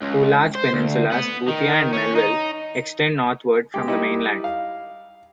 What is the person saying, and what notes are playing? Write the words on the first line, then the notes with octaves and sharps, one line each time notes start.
Two large peninsulas, Boothia and Melville, extend northward from the mainland.
C#2
C5
D2
B3
D#3
C#4
D#4
G#3 G4
G3 D#4 E4 G4 D#5 E5
F5